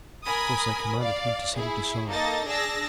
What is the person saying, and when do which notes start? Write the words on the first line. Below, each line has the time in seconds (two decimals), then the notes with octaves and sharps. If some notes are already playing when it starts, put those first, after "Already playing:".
Of course I commanded him to set it aside.
0.25 A#4 G#5 B5 D#6
0.99 D5 F5
1.55 E4 G#4
2.10 A#3 D#4 A4 D#5 A6
2.46 D4 G#4 A5 E6 A#6